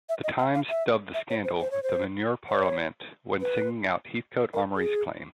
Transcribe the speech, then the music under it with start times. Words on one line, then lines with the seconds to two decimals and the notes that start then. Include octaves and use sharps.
"The Times" dubbed the scandal 'The Manure Parliament' when singling out Heathcoat-Amory's claim.
0.09 E5
0.24 D#5
0.39 F#5
0.54 F5
0.70 E5
1.14 E5
1.30 C#5
1.44 C5
1.60 C5
1.71 C#5
1.83 C5
2.49 C#5
3.41 B4
4.54 A#4
4.76 G#4